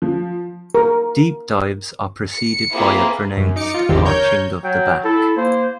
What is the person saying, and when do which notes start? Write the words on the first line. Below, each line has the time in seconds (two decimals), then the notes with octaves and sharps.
Deep dives are preceded by a pronounced arching of the back.
0.02 F3
0.75 A#4
2.32 C#7
2.71 A#3 C4 E4 F4 G#4 B4
3.37 F#2
3.56 D#4 D6 C#7
3.74 F4
3.89 G#1 E2 D3 D#3 C4 G4
4.05 A#4 C#5 G6
4.64 F#3 G5
5.04 E4 A4
5.37 A#3 C5